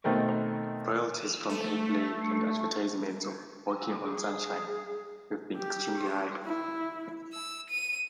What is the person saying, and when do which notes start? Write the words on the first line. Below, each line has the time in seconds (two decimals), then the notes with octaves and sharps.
Royalties from airplay and advertisements of "Walking on Sunshine" have been extremely high.
0.04 B2 D#3 A3 C4 A#4
1.49 A3
4.01 G#4
5.57 G4
6.45 E4
7.33 E6
7.70 D#7